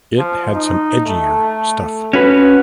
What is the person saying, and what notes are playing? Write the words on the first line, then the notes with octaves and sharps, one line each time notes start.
It had some edgier stuff.
F3
D#4
A3
C#4 F#4 B4